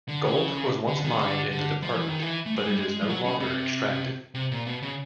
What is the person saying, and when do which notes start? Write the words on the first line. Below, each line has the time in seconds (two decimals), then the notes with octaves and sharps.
Gold was once mined in the department but it is no longer extracted.
0.08 D3
0.25 C#3
0.88 D3
1.04 D#3
1.13 C#3
1.19 D3
1.51 D3
1.83 F3
1.95 E3
2.08 D#3
2.22 E3
2.46 A3
2.56 G#3
2.68 G3
2.78 G#3
3.02 F3
3.09 F#3
3.24 C#3
3.40 C3
4.35 C3
4.51 A#2
4.67 B2
4.82 C#3